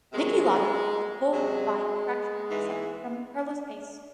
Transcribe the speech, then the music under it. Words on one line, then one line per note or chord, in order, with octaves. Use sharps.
Niki Lauda took pole by a fraction of a second from Carlos Pace.
C3 D#3 F#3 G#3
C3 F#3 G#3
G#2 E3